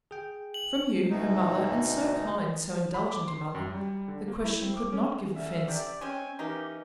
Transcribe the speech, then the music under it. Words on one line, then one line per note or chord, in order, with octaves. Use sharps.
From you, her mother, and so kind, so indulgent a mother, the question could not give offence.
G#4 G5
F#7
D2 B2 D#4
B5
D6
C6
F#2
G3
D3
A#3
E4
C4
D6
C#4
D3 A#3 C#4 E5
C3 D5
G#3 C4 C#4 G#5
E3 A#3 C#4 D#4 G4